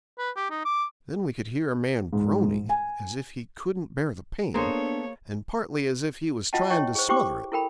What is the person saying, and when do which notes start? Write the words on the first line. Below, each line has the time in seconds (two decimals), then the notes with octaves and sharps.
Then we could hear a man groaning, as if he couldn't bear the pain, and partly as if he was trying to smother it.
0.19 B4
0.36 G4
0.51 D#4
0.65 D6
2.13 G#2
2.69 G#5
4.54 A#3 B3 D4 G#4 A4 C5 C#5
6.53 F4 D#5 F#5 G5 A5
6.70 E4 C#5 D#5 G5 C#6
6.95 G#4 C5
7.09 E4 G4 C5 G5 C#6 D6
7.52 E4 A4 A#4 G5 B5